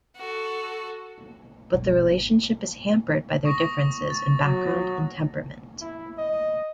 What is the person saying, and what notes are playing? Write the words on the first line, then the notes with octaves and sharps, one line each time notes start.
But the relationship is hampered by their differences in background and temperament.
F#4 A4
G2 B2
G#1
C#6 D#6 A#6
A6
F#3
E4
D#5